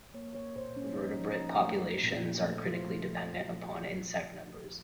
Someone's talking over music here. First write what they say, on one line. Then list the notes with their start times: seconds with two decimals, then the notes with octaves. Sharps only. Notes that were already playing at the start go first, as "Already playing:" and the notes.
Vertebrate populations are critically dependent upon insect numbers.
0.14 A#3 C#5
0.35 A#3 C#5
0.56 A#2 C5
0.76 A#3 C#4
0.93 D#4
0.98 F3
1.09 C#4
1.19 F3
1.24 D#4
1.40 F3
1.60 A3
1.82 A3
2.03 A#2
2.23 F3
2.44 A3
2.66 F3 F4
2.86 A3
3.08 F3